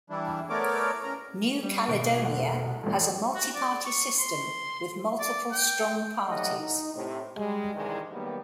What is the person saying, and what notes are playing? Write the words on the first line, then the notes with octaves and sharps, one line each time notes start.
New Caledonia has a multi-party system, with multiple strong parties.
E3 G3 D4 E4
A3 B3 A#4 C#5 D5 D6
C#3 A#4 A#5
G3
G#1 B2 B4 D7
F1 F#5
C2
A1 F2
F#4
D5
C#6
C6
D5
G5
F#3 G3 A3 D#4 D#5 F#5
D#4
A2 C3
G3 G#3
C2 G2 D#3 E3 G3 G#3
D#3 F#3 G3 A#3 B3